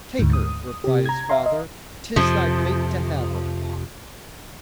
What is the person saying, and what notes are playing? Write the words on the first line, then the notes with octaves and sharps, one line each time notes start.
"Take her!" replied his father, "'tis thy fate to have her!"
D2 G#2
D#6
C3 G4
A#5 G#6
E5 F5 A#5 C6
D#5
F2 C3 F3